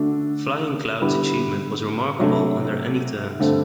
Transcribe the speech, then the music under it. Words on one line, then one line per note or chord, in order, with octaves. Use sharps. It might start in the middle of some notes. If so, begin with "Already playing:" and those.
"Flying Cloud"'s achievement was remarkable under any terms.
Already playing: D3 A3 D4 F#4
D3 G3 B3 E4
C3 F#3 A3 D4
G2 D3 A3 C4